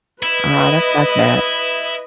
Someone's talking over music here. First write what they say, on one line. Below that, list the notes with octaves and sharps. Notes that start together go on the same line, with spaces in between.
Alright, I've got that.
E4 B4 D#5